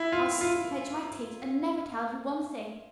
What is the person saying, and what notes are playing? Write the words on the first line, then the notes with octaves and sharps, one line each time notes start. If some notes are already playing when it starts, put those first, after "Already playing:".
I'll sit and clench my teeth and never tell you one thing.
Already playing: E4
F4
F4